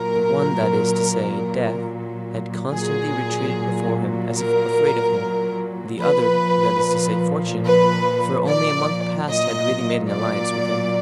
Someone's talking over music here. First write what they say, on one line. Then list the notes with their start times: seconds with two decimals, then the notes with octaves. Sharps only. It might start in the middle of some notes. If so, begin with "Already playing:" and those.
The one--that is to say, death--had constantly retreated before him, as if afraid of him; the other--that is to say, fortune--for only a month past had really made an alliance with him.
Already playing: A#2 F#3 A#4
2.72 A#2 F#3 G#4
4.37 A#4
6.00 A#2 F3 B4
7.65 B4
8.47 D5
9.29 A#2 F#3 D#5
10.11 D5